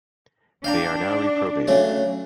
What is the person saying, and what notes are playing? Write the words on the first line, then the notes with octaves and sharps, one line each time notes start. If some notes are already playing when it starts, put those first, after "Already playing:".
They are now reprobated.
D4 F5 G5 A#5
C#3 F#3 A3